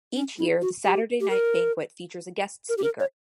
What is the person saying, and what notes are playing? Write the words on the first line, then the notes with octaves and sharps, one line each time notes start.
Each year, the Saturday night banquet features a guest speaker.
C#4
E4
F#4
G4
G4
A#4
A#4
G4
A#4
C#5